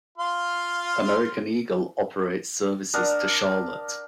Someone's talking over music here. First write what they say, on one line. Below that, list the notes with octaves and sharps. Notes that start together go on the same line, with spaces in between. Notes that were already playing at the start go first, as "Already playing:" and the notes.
American Eagle operates services to Charlotte.
F4 F5 C6
D4 A#4 F#5 D#6